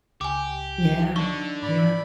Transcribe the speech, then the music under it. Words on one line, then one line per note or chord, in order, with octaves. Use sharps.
Yeah. Yeah.
C#2 G4 G#5 D6
D3 D#4 A5 C#6
G#2 D5 B5 A6